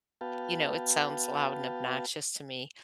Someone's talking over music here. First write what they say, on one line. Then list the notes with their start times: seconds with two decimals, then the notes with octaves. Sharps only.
you know, it sounds loud and obnoxious to me,
0.21 B3 F#4 B4 F5 G5 A5